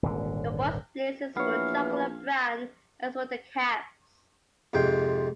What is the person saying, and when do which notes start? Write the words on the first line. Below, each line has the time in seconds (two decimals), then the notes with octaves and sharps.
The boy's blazers were chocolate brown, as were the caps.
0.03 D#1 G#1 D3
1.37 A#1 E3 B3 C#5 F5
4.73 F2 G#2 C3 G5 C6